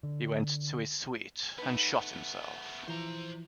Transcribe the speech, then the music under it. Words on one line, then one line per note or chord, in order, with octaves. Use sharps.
He went to his suite and shot himself.
D3
A3 B3 D#4 B4
E3 F3 C5 A#5